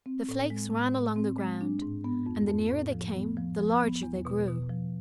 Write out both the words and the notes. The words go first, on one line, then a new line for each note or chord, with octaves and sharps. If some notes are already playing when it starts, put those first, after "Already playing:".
The flakes ran along the ground, and the nearer they came the larger they grew.
C4
A2
G#3
A2
A2
C4
G#3
D4
G#2
B3
F2
F2
A2
F3
B3
F3
F3
B3
E2
B2
B2
F3